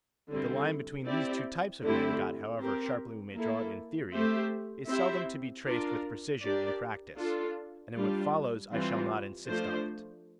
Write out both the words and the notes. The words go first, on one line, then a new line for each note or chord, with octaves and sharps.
But the line between these two types of man-god, however sharply we may draw it in theory, is seldom to be traced with precision in practice, and in what follows I shall not insist on it.
D3 G3 C4 E4
C4 E4 G4 D5
D3 A3 C4 E4 G4
C4 G4 A#4
A#3 E4 A4
A3 C4 G4 C5 E5
C4 E4 G4 C5 E5
D4 F4 A#4 D5
D4 G4 A#4 D5
D4 F4 A4
G3 D4 F4
E3 G3 C4 F4
F3 A3 D4 F4 C5